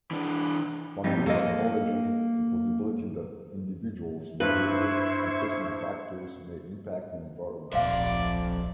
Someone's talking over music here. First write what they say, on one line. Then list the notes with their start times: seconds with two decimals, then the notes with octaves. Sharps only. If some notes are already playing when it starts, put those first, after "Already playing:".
Bandura acknowledges the possibility that individual's behavior and personal factors may impact the environment.
0.11 E3 D4
1.04 F2 G3 D#4
1.26 A#3 A4 D#5
4.40 G2 E4 B4 C5 E5 C#6
7.73 D1 A#1 F2 D5 E5 F5 C6